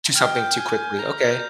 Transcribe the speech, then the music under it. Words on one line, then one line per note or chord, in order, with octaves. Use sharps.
Do something too quickly. Okay.
G5 F6
G6
G#5
A#5
G6